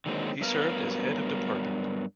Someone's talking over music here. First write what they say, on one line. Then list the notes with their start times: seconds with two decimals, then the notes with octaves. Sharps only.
He served as Head of Department.
0.06 D3 D#3 F#3 G#3 A#3 C4
0.41 G2 F#3 B3 A#4 F5